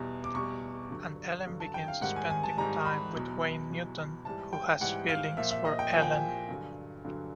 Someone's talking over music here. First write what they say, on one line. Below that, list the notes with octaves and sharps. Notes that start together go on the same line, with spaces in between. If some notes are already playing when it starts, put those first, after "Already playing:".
And Ellen begins spending time with Wayne Newton, who has feelings for Ellen.
Already playing: E2 B2 G3
D6
E2 B2 G3 C#6
G2 D3 F#3
G2 D3 F#3
A5
G5
F5
G#2 D#3 G3 F#5
G#5
G#5
A5
G#2 D#3 G3 A#5
B5
E2 B2 F#3
E2 B2 F#3
G#2 E3 G3 A5
G5
G#2 E3 G3 F#5
F5
A#2 F3 E5
E5
D#5
G5
A#2 F3 G#5
G5
G#5
G2 D3 F#3
G2 D3 F#3